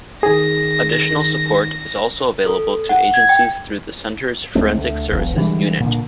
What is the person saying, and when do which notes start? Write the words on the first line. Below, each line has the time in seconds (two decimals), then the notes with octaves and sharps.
Additional support is also available to agencies through the Center's Forensic Services Unit.
0.23 D#3 G#4 A#6
2.46 A4
2.89 F#5
3.14 G#6
3.29 G5
4.55 D2 G#3 A3 C4
4.78 D2
5.11 E1 B1
5.37 D3 E3 G3 G#3
5.80 A#2 D3